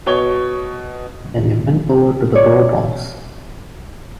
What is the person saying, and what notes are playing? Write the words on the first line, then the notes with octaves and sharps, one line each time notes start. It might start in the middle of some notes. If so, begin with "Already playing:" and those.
Then he went over to the Bourbons.
B2 C#5 G7
C#5 D5